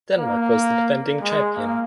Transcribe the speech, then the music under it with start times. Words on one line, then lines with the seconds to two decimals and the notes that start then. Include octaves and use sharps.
Denmark was the defending champion.
0.18 A#3
1.21 G#3
1.56 A#3